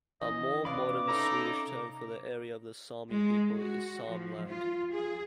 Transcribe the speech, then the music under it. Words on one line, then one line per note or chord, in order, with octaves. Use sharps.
A more modern Swedish term for the area of the Sami people is Sameland.
E3 C#4 D#5
C3 C#4 B4 D5 F5 B5 D6
D#4 A4 C#5 A#5 B5
G#3
F#4
F3
F4
G#4